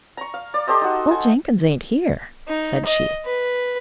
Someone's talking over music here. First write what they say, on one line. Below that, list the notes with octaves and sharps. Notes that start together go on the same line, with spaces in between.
"Old Jenkins ain't here," said she.
A#5 C#6
F5
D5
G4 A4 C5 D#5
D#4 F#4
G#5
D#4
D#5
B4